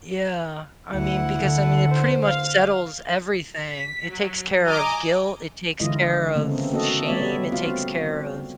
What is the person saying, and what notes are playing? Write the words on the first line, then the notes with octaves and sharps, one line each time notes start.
Yeah, I mean, because I mean, it pretty much settles everything. It takes care of guilt. It takes care of shame. It takes care of
D2 E4 F#5
D3
C5
F5
B6
F#3
D#5 G#5 A#5 D6
D3 E3 G#3 E4 F4 D#5
C#3 A3 A#3 C4
B3 C4
A#3 F#4 A4 D#5
G3 A3 B3 C#5 D5 E5
C4 F4 F#4 F5